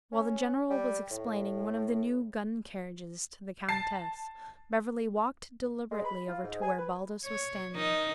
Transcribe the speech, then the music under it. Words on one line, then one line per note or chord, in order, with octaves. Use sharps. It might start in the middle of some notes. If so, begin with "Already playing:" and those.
While the general was explaining one of the new gun-carriages to the countess, Beverly walked deliberately over to where Baldos was standing.
C#4
G3
A2
A5 A6 C7
G#3
B5
F4
G#2
G#5
B4
C#5
D#3 D#4